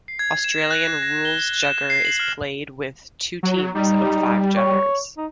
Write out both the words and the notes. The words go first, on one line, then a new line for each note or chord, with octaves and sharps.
Australian Rules Jugger is played with two teams of five juggers.
C7
G#6
E7
A#6
F#6
A#6
G7
E7
C7
F#7
F6
F#3
G3 D#4
C#5
D#4